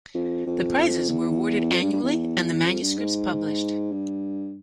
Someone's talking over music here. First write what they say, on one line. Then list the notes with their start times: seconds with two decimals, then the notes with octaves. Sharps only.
The prizes were awarded annually, and the manuscripts published.
0.14 F2
0.46 F2
1.09 E2
1.72 F2
1.82 G2
1.93 G2
2.03 E2
2.66 F2
2.82 G2
2.98 G#2
3.92 G2